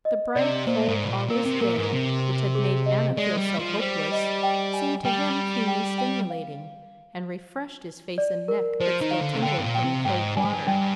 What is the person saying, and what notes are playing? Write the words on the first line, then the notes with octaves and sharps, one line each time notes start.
The bright, cold August day, which had made Anna feel so hopeless, seemed to him keenly stimulating, and refreshed his face and neck that still tingled from the cold water.
D#5
C3 D5
A#2 C5
G#2
C3
A#2
A#2 A#4
C3
A#2 A#4
G#2
C3
G#4
D#5
G#3 D5
G3
F3
G3 C5
D#5
G5
G#5
G3 G5
G5
G5
F5
D5
A#4
F3 C5
D#3
F5
D3
C3
D3 G5
G#2
A#2
G5
C3
G#2 G5
G2 G#5
G#2
G2
G2 G5